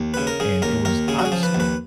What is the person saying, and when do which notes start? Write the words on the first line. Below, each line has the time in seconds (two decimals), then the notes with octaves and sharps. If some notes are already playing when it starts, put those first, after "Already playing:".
and it was honestly,
Already playing: D#2
0.14 C#3 B4
0.27 A#4
0.40 C#3 G#4
0.62 D#2 A#4
0.85 D#2 A#4
1.08 C#3 G#4
1.19 F#4
1.25 G#4
1.32 F3
1.43 B4
1.55 D#2
1.60 B4